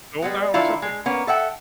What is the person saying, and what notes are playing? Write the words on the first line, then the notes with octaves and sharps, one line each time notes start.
old now or something.
G3 G#3 B3
D#3 D4 E4 F4
G#3
A#3 B3 C#4
A4 E5 F#5 G5